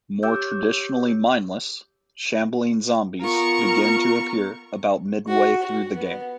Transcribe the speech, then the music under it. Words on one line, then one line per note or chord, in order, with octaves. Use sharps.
More traditionally mindless, shambling zombies begin to appear about midway through the game.
G4 C#5 D6 E6 G6
B3 F4 A#4 C#6
F#4
F#4
B3